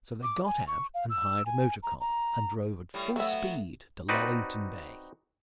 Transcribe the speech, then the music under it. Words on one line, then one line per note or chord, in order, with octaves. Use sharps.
So they got out and hired a motor-car, and drove at full speed to Lullington Bay.
D6
G#5
C#6
F5
E6
G#5
A#5
A#5
A2 G3
F#3 A3 B3 E5
C4 D#4 F#4 B4 D5